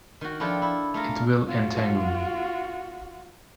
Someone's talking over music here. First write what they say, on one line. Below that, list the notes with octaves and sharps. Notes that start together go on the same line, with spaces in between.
It will entangle me.
D#3 F#4
F3 D4 E4 F4 A4 G5
E4
A3 F4 A#4
F4 F#4